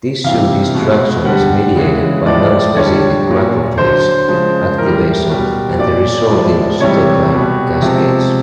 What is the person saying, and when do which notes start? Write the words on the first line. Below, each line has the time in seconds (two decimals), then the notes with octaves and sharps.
Tissue destruction is mediated by non-specific macrophage activation and the resulting cytokine cascades.
0.24 C3 E3 G3 F5
0.74 B2 G#3
1.25 D3 G3 F#5
1.76 C#3 E3 G#3
2.26 A2 F3 G#3 D5
2.76 D3 G3 C#5
3.27 A#2 F#3
3.78 D3 F#3 C5
4.28 C#3 F3 G#3
4.78 A2 E3 G3 A#4
5.29 B2 G3
5.79 A#2 F#3 D5
6.30 A2 F3 G#3
6.80 C3 E3 G3 C#5
7.31 B2 G3
7.82 C3 F3 G#3